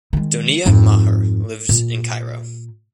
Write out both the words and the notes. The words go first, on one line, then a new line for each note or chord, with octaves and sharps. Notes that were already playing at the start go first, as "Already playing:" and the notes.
Donia Maher lives in Cairo.
D#3 G#3
F2 G#2
A#2